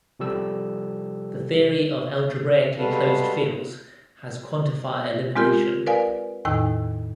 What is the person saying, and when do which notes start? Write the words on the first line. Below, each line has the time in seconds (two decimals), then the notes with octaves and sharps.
The theory of algebraically closed fields has quantifier elimination.
0.19 C3 F3 G3 G4 A4 E6
2.77 G3 G#3 F#4 A4 B4 F5
5.36 G#3 C4 F4 G4 A#4
5.87 A#4 B4 D5 F5 G#5
6.45 E2 A2 D#3 D#4 G5 E6